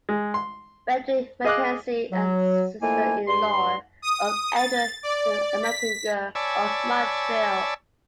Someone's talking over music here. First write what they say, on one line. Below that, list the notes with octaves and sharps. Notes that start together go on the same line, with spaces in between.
Frederick Mackenzie and sister-in-law of Edward Ermatinger, of Montreal.
G#3
C6
G#4 D#5 F5 D6 D#6 F#6
F#3
D#3 F3 A3 A#3 E4 G#5
G2 C6
D#6
A6
D5
B6
C#5 D5 G#5 A5 B5 E6